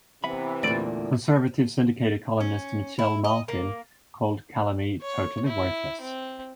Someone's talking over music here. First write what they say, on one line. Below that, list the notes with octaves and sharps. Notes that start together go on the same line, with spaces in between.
Conservative syndicated columnist Michelle Malkin called Calame "totally worthless".
C3 E3 B3 E5 B5
E2 A#2 D3 A3 D5
C#4
E4
D#5
A#3
C#5
E4
C4